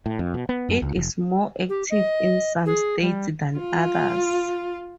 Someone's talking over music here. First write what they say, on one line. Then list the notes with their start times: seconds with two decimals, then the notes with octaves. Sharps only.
It is more active in some states than others.
0.06 A2
0.19 F2
0.34 B2
0.49 B3
0.69 F#2
0.82 C#2
0.96 F1
1.69 G4
1.90 D#5
2.66 G#4
3.01 G3
3.57 F4